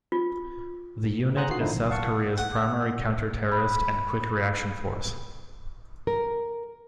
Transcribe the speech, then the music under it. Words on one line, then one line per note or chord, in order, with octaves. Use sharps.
The unit is South Korea's primary counter-terrorist and quick reaction force.
F4
G#4 C5 F#5 A#5 D#6 F#6
D#3 F4 F#4 C7
D3 F3 D#4 E4
B1
F5 F#5 A5 C#6
F#5
B5 F#6
A#4